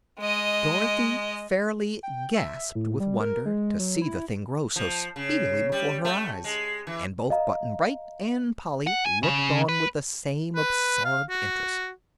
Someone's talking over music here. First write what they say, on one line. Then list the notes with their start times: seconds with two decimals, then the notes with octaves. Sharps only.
Dorothy fairly gasped with wonder to see the thing grow so speedily before her eyes, and both Button-Bright and Polly looked on with the same absorbed interest.
0.19 G#3 D#5
2.03 G5
2.34 E5
2.75 A2
3.00 G3
3.20 A#4
3.46 G#3
3.79 F#3
4.02 E4
4.76 F3
5.16 C#3
5.72 G3
6.05 A3
6.44 G#3
6.87 E3
7.30 D#5 F5 A#5
8.87 F#5
9.06 G#5
9.23 C#3
9.69 B4
10.56 B4
11.05 F5
11.30 F#4